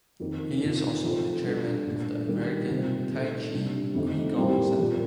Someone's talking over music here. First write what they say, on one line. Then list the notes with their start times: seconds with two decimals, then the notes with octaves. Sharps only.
He is also the chairman of the American Tai Chi Qigong Center.
0.20 F2 D#3 A#3
0.62 C3 D#3 A#3 F4
1.03 F3 C4 F4 A4
1.44 G3 D4 A4
1.86 A#2 A3 D4
2.28 D#3 G3 A#3
2.70 C3 G3 C4 F4
3.12 A#2 A3 D#4 A4
3.53 C3 G3 D4
3.94 F2 D3 A3 D#4
4.37 A2 G3 C4 G4 A#4
4.78 A#2 F3 A#3